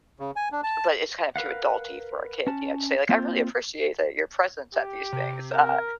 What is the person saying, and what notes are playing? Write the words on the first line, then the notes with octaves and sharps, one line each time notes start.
but it's kind of too adulty for a kid, you know, to say, "I really appreciate that your presence at these things," uh,
C#3
G#5
D4
A5
A#4 B4 F5 F#5
C#4 A5
A#3 C4 F4 C5
G4
C3
A#4